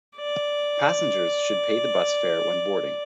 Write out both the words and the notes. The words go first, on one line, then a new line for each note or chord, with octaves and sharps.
Passengers should pay the bus fare when boarding.
D5